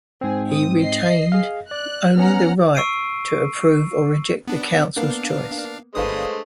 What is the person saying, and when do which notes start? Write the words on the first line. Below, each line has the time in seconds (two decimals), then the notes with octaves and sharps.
He retained only the right to approve or reject the council's choice.
0.21 G#2 C4 G#4
0.52 D#6
0.82 D#5 C7
1.32 G#4 F5
1.71 D5 F#6
2.17 B3 C#4 F#5 A#5 F6
2.75 C#6 E6 C7 D7 D#7
4.47 B3 D4
4.96 A#3 B3 D4 F5
5.95 G1 G#3 A3 D4 B4 C5 F5 D#6